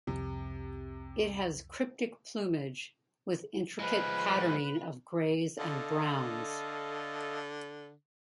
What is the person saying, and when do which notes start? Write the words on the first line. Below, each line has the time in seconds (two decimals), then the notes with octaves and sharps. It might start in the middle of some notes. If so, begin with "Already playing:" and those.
It has cryptic plumage, with intricate patterning of greys and browns.
0.07 C2 F2 C3
3.80 F3 G#3 B4
5.59 D3 A4 D#5 F5